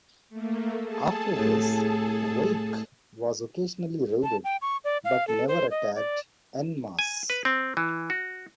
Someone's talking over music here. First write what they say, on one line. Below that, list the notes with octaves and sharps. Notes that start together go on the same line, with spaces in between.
After this, Wake was occasionally raided but never attacked "en masse".
A3 A#3
G#4 A4 A5
C2 A2
A5
G5
C#6
D5
F5
A4
C5
D#5
D5
G#5
B4
C4
E3
F#4